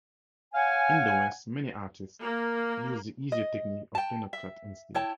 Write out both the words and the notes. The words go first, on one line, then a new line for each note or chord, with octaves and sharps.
In the West, many artists used the easier technique of linocut instead.
C#5 F5 F#5 G#5
A#3
D#5
G5 A5
E5
E4 C#5 G5 A5